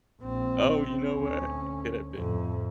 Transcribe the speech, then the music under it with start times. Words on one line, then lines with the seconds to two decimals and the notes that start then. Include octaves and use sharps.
Oh, you know what? It could have been.
0.21 A#1 C4
1.13 D2 C#4
2.13 F2 A2